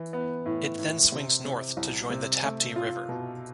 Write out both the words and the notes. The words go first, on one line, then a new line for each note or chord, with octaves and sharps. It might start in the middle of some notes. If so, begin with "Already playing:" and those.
It then swings north to join the Tapti River.
Already playing: E3
B3
A2
A2
C3
C3
C2
C3
A3
F4
B2